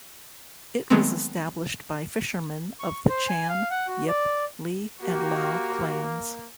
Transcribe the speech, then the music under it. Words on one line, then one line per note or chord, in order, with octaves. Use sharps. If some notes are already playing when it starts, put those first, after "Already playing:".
It was established by fishermen of the Chan, Yip, Li and Lau clans.
D#3 F#3 G#3 A3 B3 C4
C#6
C5
G#5
F5
F#5
F#4
D5
A#3 F#4 G4